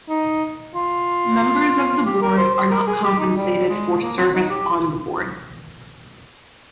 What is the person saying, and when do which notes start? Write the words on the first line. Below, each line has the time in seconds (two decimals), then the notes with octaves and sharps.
Members of the Board are not compensated for service on the Board.
0.09 D#4
0.75 F4
2.06 G4
2.22 A#4
2.37 C5
2.55 C5
2.70 A#4
2.87 G#4
3.04 G4
3.19 D#4
3.37 G3
3.68 G#3
4.01 A#3
4.17 C4
4.34 D#4
4.50 G4